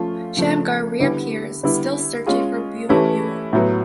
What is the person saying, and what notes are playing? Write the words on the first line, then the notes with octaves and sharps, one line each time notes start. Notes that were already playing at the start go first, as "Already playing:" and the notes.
Shamgar reappears, still searching for "Bule-Bule".
Already playing: F3 A3 C#4 F4
C#3 F3 A3
D3 G3 B3 E4 G4
D3 G3 B3 E4
G#3 C#4 F4 G#4
E3 A3 C#4 E4 G4
A2 F#3 B3